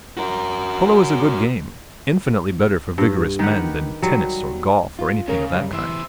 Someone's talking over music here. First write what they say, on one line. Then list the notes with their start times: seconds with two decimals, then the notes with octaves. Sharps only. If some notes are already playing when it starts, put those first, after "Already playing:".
Polo is a good game, infinitely better for vigorous men than tennis or golf or anything of that kind.
0.17 F#4 A#4
2.98 G2
3.39 D#3 G4 B4 F#5
4.02 F#3 G3
4.99 F4
5.28 C#3 C#4 A#4
5.51 F#2 G3
5.73 E3 C5 E5